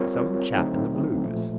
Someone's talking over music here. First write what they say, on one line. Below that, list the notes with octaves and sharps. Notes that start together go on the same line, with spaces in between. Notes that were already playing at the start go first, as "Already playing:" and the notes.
Some chap in the blues.
Already playing: G3 C4 F4 A#4 C#5
D3 F#3 A3 C4 D#4
A#2 F3 A3